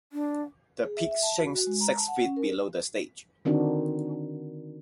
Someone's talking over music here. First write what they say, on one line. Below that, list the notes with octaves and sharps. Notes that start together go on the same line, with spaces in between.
The pit sinks six feet below the stage.
D4
G#4
E5
E5
A5
F#4
F#4
G#3
A#5
A5
F#5
C#4
A#4
D3 D#3 C4 D4 D#4 F#4